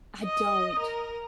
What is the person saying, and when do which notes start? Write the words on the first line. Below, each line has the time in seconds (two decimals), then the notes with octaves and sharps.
I don't.
0.24 D#5
0.79 A#4